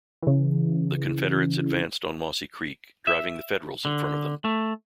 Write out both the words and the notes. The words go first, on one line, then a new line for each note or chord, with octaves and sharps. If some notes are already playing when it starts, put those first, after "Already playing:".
The Confederates advanced on Mossy Creek, driving the Federals in front of them.
C#3 E3
E5
D3
A3